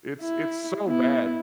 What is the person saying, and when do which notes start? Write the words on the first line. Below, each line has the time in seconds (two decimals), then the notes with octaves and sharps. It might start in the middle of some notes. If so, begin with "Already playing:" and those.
It's it's so bad.
0.21 E4
0.86 B3 E4